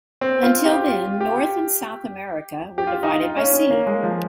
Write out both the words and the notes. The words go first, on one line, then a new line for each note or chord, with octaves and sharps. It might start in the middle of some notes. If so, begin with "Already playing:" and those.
Until then North and South America were divided by sea.
C4
F4
G4
F4
G4
G4
F4
D#4
F4
C#4
C#4
A#3
G#3
F3